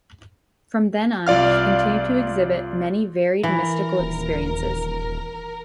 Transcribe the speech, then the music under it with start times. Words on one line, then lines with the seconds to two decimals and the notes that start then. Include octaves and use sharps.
From then on, she continued to exhibit many varied mystical experiences.
1.27 C2 F4 D5 F5 F6
3.43 E3 A#4
3.99 D#1